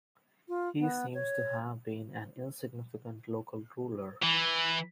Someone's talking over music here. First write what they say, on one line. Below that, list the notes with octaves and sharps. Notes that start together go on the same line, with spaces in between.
He seems to have been an insignificant local ruler.
F4
B3
C#5
E3